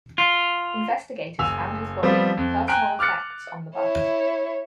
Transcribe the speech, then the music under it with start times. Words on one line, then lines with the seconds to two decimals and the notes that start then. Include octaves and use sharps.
Investigators found his body and personal effects on the bus.
0.18 F4
1.39 F#1 G#5 E6 F7
2.03 F3 G3 B3 C4
2.37 F2
2.68 G5 G#5 A#5 F#6 D7
2.99 D6 F6 F#6 A6 C#7
3.76 E4 C#5